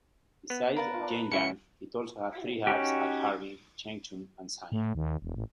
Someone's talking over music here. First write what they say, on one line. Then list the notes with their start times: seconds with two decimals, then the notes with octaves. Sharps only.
Besides Shenyang, it also had three hubs at Harbin, Changchun and Sanya.
0.50 B3
0.76 A#4 B4 D5 F5 A5
0.94 F4
1.32 C#2 C#4 E4 F#4 E5 C#7
2.67 C#4 D#4 F#4 G4
4.72 A2
4.95 D#2
5.22 E1
5.35 A1